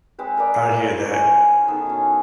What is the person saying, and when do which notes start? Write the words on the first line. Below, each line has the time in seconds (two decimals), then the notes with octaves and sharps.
I hear that.
0.19 G#3 C4 B4
0.37 A#4 B4 D5 F5
0.71 E4 F4 C5 C#5
1.03 C#4 F4 C5 G#5
1.68 D#3 B3 G#4 A4
1.86 B2 C#4